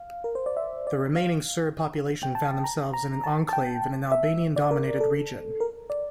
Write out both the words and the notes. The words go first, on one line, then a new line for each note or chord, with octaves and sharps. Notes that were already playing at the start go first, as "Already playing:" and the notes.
The remaining Serb population found themselves in an enclave in an Albanian-dominated region.
Already playing: F5
A#4
C5
D5
E5
D5
F5
G5
A5
A#5
A#5
A5
A5
G5
E5
D5
A#4
A4
A#4
D5